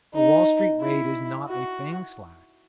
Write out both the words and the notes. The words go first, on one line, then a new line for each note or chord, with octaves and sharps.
A Wall Street raid is not a fang slash.
D#4
E4
F#4